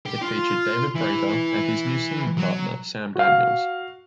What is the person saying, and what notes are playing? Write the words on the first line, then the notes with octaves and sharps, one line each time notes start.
It featured David Prater and his new singing partner Sam Daniels.
G4
F4
E3
F#3
F#4 F5